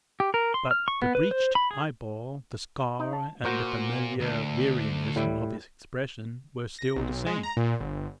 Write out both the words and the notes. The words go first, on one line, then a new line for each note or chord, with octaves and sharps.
But the bleached eyeball, the scar, and the familiar weariness of his expression were still the same.
G4
A#4
C6
F6
C#6
B3
B4
C5
B5
G#4
D#4
A5
A#2 F#4 A#4 C5
D2
A2 G3 E4
A#6
B1
G#3
A#5
A#2
G1